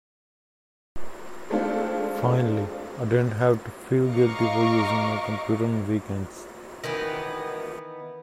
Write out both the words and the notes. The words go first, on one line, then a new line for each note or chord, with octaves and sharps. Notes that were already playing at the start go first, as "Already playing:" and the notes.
Finally I didn't have to feel guilty for using my computer on weekends.
G#3 A3 C4 D4 F4
D#5 F5 A#5 C#6 D6
D#3 E3 B3